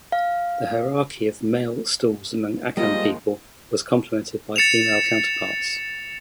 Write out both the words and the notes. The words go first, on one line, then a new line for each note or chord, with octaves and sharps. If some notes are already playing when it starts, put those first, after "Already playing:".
The hierarchy of male stools among the Akan people was complemented by female counterparts.
F5
D#3 F3 G3 G#3 A#3 F4 D#5
A6 C#7 E7 F7